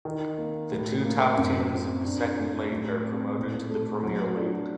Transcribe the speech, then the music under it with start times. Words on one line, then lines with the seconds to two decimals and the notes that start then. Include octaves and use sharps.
The two top teams of the Second League are promoted to the Premier League.
0.05 D#3
0.38 A#3
0.72 A2
1.04 A#3
1.38 F#2
1.71 C4
2.04 G2
2.37 A3
2.70 A2
3.03 C4
3.36 A#2
3.70 A3
4.03 F#3
4.36 D4